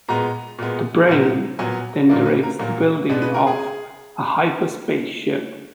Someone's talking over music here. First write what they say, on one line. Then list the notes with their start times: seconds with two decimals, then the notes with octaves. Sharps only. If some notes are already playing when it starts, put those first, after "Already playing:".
"The Brain" then directs the building of a hyperspace ship.
0.09 A#2 G#3 B3 A#5
0.59 A#2 G#3 B3
1.09 A#2 F#3 B3
1.59 A#2 F#3 B3 G#5
2.09 A#2 F#3 A#3 D5
2.26 B4
2.43 A#4
2.59 A#2 F#3 A#3
3.09 B2 G#3 B3 D5
3.22 B4
3.34 A#4
3.47 G#4